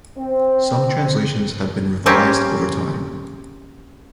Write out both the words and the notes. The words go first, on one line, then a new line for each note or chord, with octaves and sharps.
Some translations have been revised over time.
C4
A#3 C4 C#4 G4